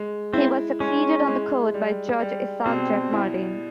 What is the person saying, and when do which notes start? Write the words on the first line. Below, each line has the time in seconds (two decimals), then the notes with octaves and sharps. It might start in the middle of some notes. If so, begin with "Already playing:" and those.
He was succeeded on the court by Judge Isaac Jack Martin.
Already playing: G#3
0.33 C4 E4
0.80 G#3 C#4
1.27 G#3
1.74 G3
2.20 G3
2.66 B2 C4
3.13 E4